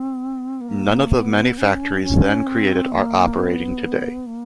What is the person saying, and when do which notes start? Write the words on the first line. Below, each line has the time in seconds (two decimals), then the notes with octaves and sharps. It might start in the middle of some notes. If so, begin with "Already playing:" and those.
None of the many factories then created are operating today.
Already playing: C4
0.61 B3
0.68 A#3
1.13 B3
1.58 C#4
2.02 C#4
2.47 C4
2.92 A#3
3.37 B3
4.27 A#3